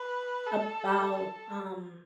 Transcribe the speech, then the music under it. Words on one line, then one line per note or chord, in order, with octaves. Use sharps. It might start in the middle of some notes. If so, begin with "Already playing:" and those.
about, um
Already playing: B4
A4
A4